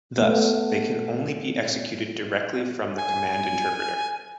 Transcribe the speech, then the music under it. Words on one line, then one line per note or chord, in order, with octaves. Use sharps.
Thus, they can only be executed directly from the command interpreter.
A3 B3
G#5